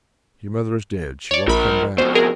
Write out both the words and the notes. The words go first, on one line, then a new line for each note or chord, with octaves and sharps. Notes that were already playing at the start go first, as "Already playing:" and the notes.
"Your mother is dead; she won't come back."
C#5 D5
A#1 F3 A#4 B5
F2 B2 C5
G#4 A#4